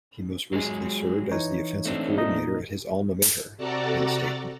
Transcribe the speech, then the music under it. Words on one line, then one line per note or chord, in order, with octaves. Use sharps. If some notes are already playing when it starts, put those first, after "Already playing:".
He most recently served as the offensive coordinator at his alma mater, Penn State.
F#3 G#3 G#4
E3 D#4 C#5
A3 C4 D4
A#2 D#4 D#5
C3 F#4 A4 D5 A5 A#5